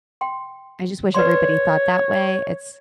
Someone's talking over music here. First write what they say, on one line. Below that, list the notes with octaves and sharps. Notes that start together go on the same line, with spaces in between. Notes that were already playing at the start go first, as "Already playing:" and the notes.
I just wish everybody thought that way. It's
G5 C6
B4 C#5 D5 C6